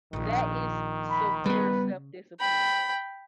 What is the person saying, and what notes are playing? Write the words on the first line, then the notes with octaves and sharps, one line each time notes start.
that is severe self-discipline.
A#1 A#2 D#3
B5
C#3 G3 B3 B4
G5 B5